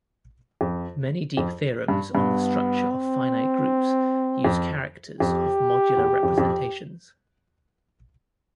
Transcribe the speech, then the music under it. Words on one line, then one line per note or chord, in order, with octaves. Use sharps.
Many deep theorems on the structure of finite groups use characters of modular representations.
F2
F2
G2
G2 B3
C4
F2
F2 G4
E2
F2
F2